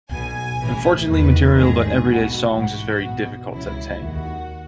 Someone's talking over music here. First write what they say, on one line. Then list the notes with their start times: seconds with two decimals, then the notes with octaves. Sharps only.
Unfortunately, material about everyday songs is very difficult to obtain.
0.12 B1 B2 G#5
0.60 A1 A2 E3
1.09 E2 D#3 B4
1.58 A1 G#2 D#3 G#4
2.07 B1 B2 F#4
2.55 A1 G#2 E3 F#4
3.05 B1 B2
3.53 C#2 C#3 E3 E4
4.01 D#2 D#3 F#4